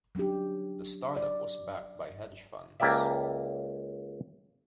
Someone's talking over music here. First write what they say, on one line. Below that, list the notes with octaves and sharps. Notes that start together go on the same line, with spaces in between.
The startup was backed by hedge funds.
F#3 G3 C#4 D4 G4
D5
C#2 A#3 G4 D5 E5